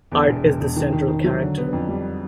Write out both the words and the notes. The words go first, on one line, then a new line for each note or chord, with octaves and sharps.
Art is the central character.
E2
E1
E1
E1
D#3
D#3
D#3
F#3
D3
B3
F2
G3